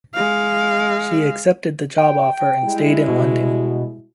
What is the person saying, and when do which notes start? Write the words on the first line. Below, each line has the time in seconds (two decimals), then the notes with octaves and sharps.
She accepted the job offer and stayed in London.
0.14 G#3 F5
1.98 G5
2.63 G3 G#3 E4
3.08 B2